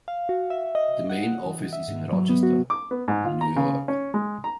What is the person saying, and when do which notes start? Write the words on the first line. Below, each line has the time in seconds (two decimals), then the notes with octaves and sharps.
The main office is in Rochester, New York.
0.08 F5
0.29 F#4
0.50 E5
0.75 D#5
1.10 F#5
1.46 E3
1.73 E5
1.88 G#2
2.13 F#3
2.29 B3
2.43 F#4
2.70 D6
2.91 B3
3.08 G#2
3.25 F4
3.41 A#5
3.56 C#3
3.88 C#4
4.14 G#3
4.44 A#5